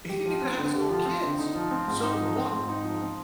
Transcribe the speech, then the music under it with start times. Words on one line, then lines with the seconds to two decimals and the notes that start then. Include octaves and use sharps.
he didn't even have his own kids, so to want
0.09 G4
0.25 F3
0.42 C4
0.58 D3
0.74 G4
0.90 F3
1.06 C4
1.23 D3
1.39 D#4
1.55 F3
1.71 C4
1.88 G#2
2.03 D#4
2.20 F3
2.37 C4
2.52 G#2
2.69 D#4
2.84 F3
3.01 C4